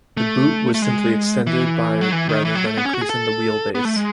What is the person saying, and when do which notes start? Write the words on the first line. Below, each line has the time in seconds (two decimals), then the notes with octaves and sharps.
The boot was simply extended by rather than increasing the wheelbase.
0.17 A3
0.74 A3
0.82 G#3
1.47 E3
2.01 F#3
2.12 E3
2.29 D#3
2.45 E3
2.55 F#3
2.66 A3
2.77 B3
2.85 C#4
2.93 F#4
3.01 G#4
3.10 A4
3.75 B3
3.85 A3
3.96 G#3